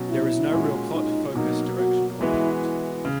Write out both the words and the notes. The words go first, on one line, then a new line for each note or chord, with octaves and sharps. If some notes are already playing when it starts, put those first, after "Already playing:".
There is no real plot, focus, direction or point.
Already playing: B2 F#3 C#4 F#4
E4
A#2 G#3 C#4 F#4
D#4
B2 F#3 A#3 D#4
F#4
E3 G#3 B3 E4 F#4
E4
C#3